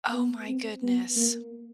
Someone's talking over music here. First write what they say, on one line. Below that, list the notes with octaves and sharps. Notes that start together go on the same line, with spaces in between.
Oh my goodness.
B3
C4
B3
A#3